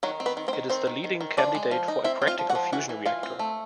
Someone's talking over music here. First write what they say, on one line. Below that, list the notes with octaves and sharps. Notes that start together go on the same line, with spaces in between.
It is the leading candidate for a practical fusion reactor.
D#3 F#3 F#4
C4
B3 B4
D#3
C4 C5
D#3
D#3 C4 C5
D#3
D#3
D#3
F3 D4 D5
G#3
F3
D#4
C4 E4 E5
C4
F4 F5
F3
F#4 F#5
F3
E3 F#4 F#5
E3
E3 F4 F5
C4
A3